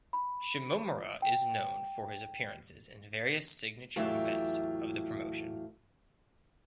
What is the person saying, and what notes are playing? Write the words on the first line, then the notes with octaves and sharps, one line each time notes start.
Shimomura is known for his appearances in various signature events of the promotion.
B5
G5
E2 A2 F#3 F4 G4 E5